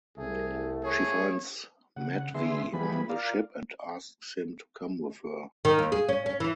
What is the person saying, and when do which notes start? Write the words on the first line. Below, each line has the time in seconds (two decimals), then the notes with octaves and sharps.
She finds Matvey on the ship and asks him to come with her.
0.18 C2 A3 G#4
0.83 G#4 C#5
1.97 C#3 F#5
2.35 D3 B3 G#4 E5 C6
2.73 E3 F3 G3 B3 G#4 B5
3.09 F4 A#4 D5 F5
5.65 D#3
5.79 D#2
5.92 G#4
6.09 C#4
6.26 C#4
6.40 E3